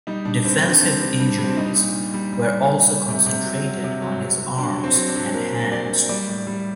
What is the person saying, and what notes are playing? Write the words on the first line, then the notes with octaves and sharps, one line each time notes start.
Defensive injuries were also concentrated on his arms and hands.
G3 D#4
G3 D4
G3 C4
G3 D4
G3 C4
G3
G3 D4
G3
C4
D4
G3 D#4
A#2
A#2
G3
G3
A#2
A#2
G3
C3
C3
F#3
F#3
C3
F#3
C3
F#3
F#3 D4
F#3
C4
F#3
D4
F#3
A#2 A#4
A#2
F#3 D5
F#3
G3 D5
A2
G3